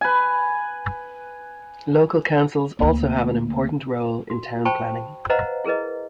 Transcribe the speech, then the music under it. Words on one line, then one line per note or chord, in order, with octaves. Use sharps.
Local councils also have an important role in town planning.
B4 G#5
D2 A#3
F#4
C5 G5 A5 B5 C#6
B4 C5 D#5 F5 F#5 A#5
E4 G#4 A#4 B4 D#5